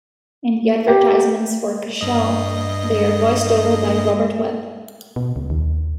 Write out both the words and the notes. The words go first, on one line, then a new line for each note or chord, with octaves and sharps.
In the advertisements for Cushelle, they are voiced-over by Robert Webb.
G4
G2 D#5
B2
C#2
D#2